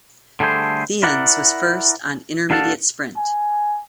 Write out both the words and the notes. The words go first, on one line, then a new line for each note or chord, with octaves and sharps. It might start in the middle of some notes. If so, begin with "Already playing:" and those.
Theuns was first on intermediate sprint.
D3 G3 A3 G#4 C5
E4 A#4 D5 F#5
D#2 D4 F#4 A4 F5 A5
G#5